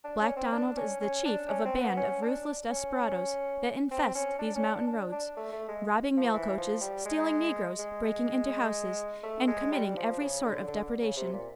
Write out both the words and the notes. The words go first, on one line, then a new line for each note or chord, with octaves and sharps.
Black Donald is the chief of a band of ruthless desperadoes that infest these mountain roads, robbing mail coaches, stealing negroes, breaking into houses and committing every sort of depredation.
D4
C#4
C4
D4
C#4
C#4
D4
C#4
C4
B3
C#4
D4
C#4
C4
C#4
D4
C#4
D4
D4
D4
A3
A3
G#3
F3
E3
F3
G3
G#3
G#3
G#3
A3
G#3
G3
F3
C#3
D3
D3
C#3
C3
A#2